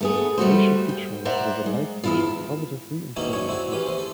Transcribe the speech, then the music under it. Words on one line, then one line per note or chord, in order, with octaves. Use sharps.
They should be trained with a light touch and positive reinforcement methods.
A3 B3 G#4
G3 A3 F#4 C5
G5
C5 D5 E5 F#5 A#5
G#3
E2 E4 F4
G#2 B2 D#3 A#3 C#4 E4
F#2 D4 C#5
C4 E4 F#4 G#4
E3 C#4 G4 B4
E2 C5
A4